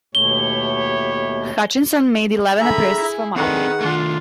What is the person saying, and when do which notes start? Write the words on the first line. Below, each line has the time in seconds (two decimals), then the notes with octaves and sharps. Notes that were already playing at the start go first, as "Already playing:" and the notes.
Hutchinson made eleven appearances for Malta.
0.15 D#2 B2 A3 E4 G4 C#5 G7
2.60 D3 G#4 E5 A#5 B5
3.00 E4
3.36 D#3 C4 D4 A4 B4 F#5
3.81 D#3 A3 D4 F4